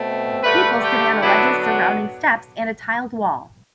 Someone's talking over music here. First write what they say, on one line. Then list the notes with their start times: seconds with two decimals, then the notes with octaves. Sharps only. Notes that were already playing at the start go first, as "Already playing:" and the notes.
People sitting on the ledges surrounding steps and a tiled wall.
Already playing: B2 A3 C4
0.43 G2 D3 A3 B4
0.82 G4
1.22 D3 F#3 B3 D4 E4
1.61 D4